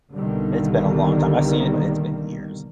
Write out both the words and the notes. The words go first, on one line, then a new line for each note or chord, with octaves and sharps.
It's been a long time. I've seen it, but it's been years.
B1 B2 D3 D#3 G3 A#3